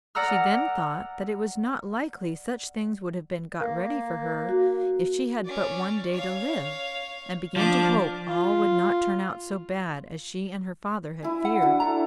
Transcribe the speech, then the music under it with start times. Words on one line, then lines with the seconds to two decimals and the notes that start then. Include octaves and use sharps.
She then thought that it was not likely such things would have been got ready for her, if she had but one day to live; and began to hope all would not turn out so bad as she and her father had feared.
0.15 D5 F#5 A#5 E6 F6
3.60 A#3
4.49 F#4
5.45 C#4 D5
6.13 C#5 F5
7.56 F3 D4 D6
8.26 F4
11.23 E4 G#5
11.45 F#5
11.61 D4 E4 F#4
11.80 A4 A#5